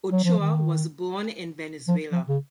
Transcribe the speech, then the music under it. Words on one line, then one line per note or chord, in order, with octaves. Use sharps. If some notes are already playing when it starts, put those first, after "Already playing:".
Ochoa was born in Venezuela.
F#3
F3
D#3
F3
F3
C#3